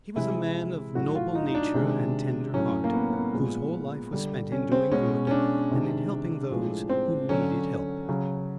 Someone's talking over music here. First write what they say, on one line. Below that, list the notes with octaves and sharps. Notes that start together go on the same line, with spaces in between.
He was a man of noble nature and tender heart, whose whole life was spent in doing good, and in helping those who needed help.
C3 E3 G#3 E4
A2 F#3 F#4
F4
D#4
D#4
D4
C3 D#3 G#3
A2 F#3 C#4
A#3
B3
B3
A#2 F3 G#3
D3 G3
C#4
C4
B2 G#3 C#4
C#4
D4
C3 D#3 G#3
A2 F3 G#3
C4
D3 F#3 C#4
C#3 F#3